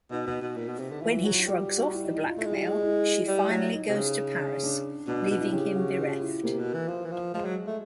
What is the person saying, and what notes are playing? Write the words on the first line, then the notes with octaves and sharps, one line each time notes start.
When he shrugs off the blackmail, she finally goes to Paris, leaving him bereft.
B2 D#4
B2
B2
A#2
B2
C3
D3
E3 F4
F#3 F#4
F#4
G3 G4
F#4
E4
D#4
D#4
F4
A3 E4
G#3
G3
G#3
E4
G3
F#3
D#4
C3
C#3
D4
B2 D4
D#4
B2
E4
C#3 G4
F#4
F4
E4
C3 A#3
B2
E3
F3
E3
F3
F3 G#3
F#3
A3